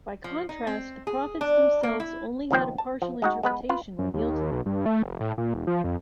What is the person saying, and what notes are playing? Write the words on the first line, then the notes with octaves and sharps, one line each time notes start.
By contrast, the prophets themselves only had a partial interpretation revealed to them.
F3
D#4
C4
G#4
D4
A#3
E4
C#2 A#2 D#3 F3 C5 G5
A5
F3
G#3 D#4 F#4
G#3 B3 B4
F4 B4
F#2
D#2
B1
G2
A3
F1
A2
A#2
E1
F3
F2